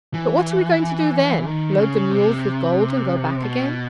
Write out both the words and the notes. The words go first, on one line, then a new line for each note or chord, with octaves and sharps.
"But what are we going to do then--load the mules with gold, and go back again?"
E3
D#3
C#3
C3
B2